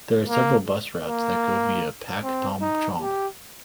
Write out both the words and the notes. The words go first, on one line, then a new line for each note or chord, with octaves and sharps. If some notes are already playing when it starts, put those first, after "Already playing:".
There are several bus routes that go via Pak Tam Chung.
A#3
A#3
C4
D#4
G4